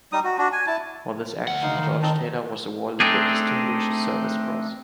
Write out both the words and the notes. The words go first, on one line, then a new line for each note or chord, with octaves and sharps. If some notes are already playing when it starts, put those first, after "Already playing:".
For this action, George Taylor was awarded the Distinguished Service Cross.
G3 D#4 D#6
F#4
D4 F#4
G#5
E4 A5
D2 F#5
D#4 F5
D#3
C4 D#4 A5
A3 C4 D4 D#4 G#4